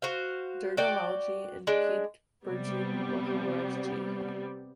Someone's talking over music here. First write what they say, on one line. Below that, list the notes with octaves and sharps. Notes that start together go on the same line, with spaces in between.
Durga Lal Ji and Pt Birju Maharaj Ji.
F#4 C5 F5
F#4 D5 G5
G#3 D4
C3 G3 B3